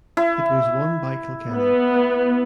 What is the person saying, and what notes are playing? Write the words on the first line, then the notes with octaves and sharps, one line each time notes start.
It was won by Kilkenny.
E4
B3